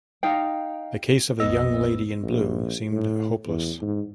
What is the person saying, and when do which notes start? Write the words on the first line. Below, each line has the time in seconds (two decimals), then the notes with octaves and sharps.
The case of the young lady in blue seemed hopeless.
0.23 D#4 F5 G5
1.40 A#1 F2 B3 D#5 E6
2.23 A#1
2.92 A2
3.47 E2
3.82 G#2